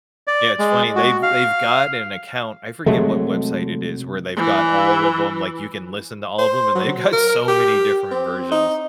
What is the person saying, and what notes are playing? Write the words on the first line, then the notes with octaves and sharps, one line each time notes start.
Yeah. It's funny. They've they've got an account. I forget what website it is where they've got all of ‘em like, you can listen to all of ‘em, and they've got so many different versions.
D5
G#3
F#4
F5
C3 F#3 G#3 A3
E3
C5
F#3
A#4
G4
C4
D#4